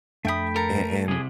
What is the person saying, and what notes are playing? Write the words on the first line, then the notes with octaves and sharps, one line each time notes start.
and and,
F2 A3 D4 E5 G5 B5 D#6
A4 A#4 A#5
C2 C3 G#4